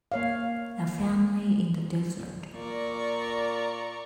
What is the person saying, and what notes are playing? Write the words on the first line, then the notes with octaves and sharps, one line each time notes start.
A family in the desert.
A#3 C#5 F5
A#2 D5 A#5 C#6